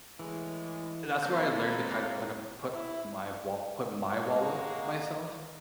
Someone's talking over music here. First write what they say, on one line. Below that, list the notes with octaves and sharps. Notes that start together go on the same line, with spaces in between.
eh that's where I learned to kind of put up put my wall put my wall up myself
A2 E3 G#3
A#3 C4 A4 A5 G6
G#3 B5
E4
G#2 G#3 A#3 D#4 F#4